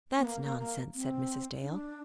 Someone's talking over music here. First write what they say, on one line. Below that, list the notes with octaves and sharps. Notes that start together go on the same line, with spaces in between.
"That's nonsense," said Mrs. Dale.
B3
A#3
A#3
A#3
C4
D4